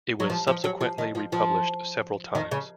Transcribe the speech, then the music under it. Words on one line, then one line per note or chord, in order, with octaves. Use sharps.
It was subsequently republished several times.
F#3
F3
F3
F#3
F3
D#3
F3
F3
D#3
C#3